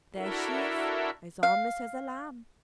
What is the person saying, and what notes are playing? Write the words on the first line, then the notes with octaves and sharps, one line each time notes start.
There she is as harmless as a lamb.
D4 E4 F#4 A4 A#4 E5
F5